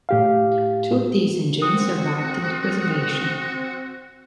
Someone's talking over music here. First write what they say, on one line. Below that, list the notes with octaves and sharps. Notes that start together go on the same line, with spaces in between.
Two of these engines survived into preservation.
A2 G4 F5
C4 F#4 D#6